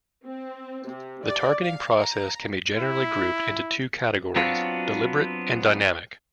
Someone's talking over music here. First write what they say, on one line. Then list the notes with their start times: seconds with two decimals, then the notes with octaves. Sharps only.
The targeting process can be generally grouped into two categories: deliberate and dynamic.
0.24 C4
0.87 C3
1.23 D5
1.62 F5
1.97 A#5
2.77 E4
4.36 F#3 B3 C4 D4 F4 F#4